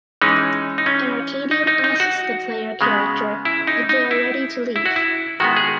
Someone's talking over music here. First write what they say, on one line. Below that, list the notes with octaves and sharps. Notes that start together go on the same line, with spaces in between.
An Arcadian asks the player character if they are ready to leave.
E3 G#3 C#4 D#4
D#4
C#4
D#4
D#4
D#4
F#4
C#3 G#3 B3
E4
D#4
D#4
E4
E4
F#4
E4
D#3 G#3 B3 F#4
G#4